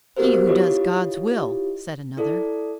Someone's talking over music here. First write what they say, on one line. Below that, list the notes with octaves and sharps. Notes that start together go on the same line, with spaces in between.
"He who does God's will," said another.
B3 F#4 G4 A#4 C5
E4 F4 G4 C#5 D#5
E4 A4 D5